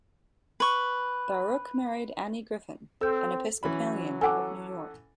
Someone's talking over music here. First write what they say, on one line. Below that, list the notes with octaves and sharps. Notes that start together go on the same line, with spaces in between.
Baruch married Annie Griffin, an Episcopalian, of New York.
B4 C#6
C4 A4 E6 G6
E3 F#3 C#4 B5
A4 F#5 G#5 D6